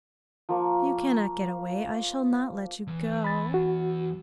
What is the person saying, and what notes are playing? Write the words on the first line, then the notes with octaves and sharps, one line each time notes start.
You cannot get away, I shall not let you go....
F3 A#3 C#6
E2 E3
B5 A6
F#4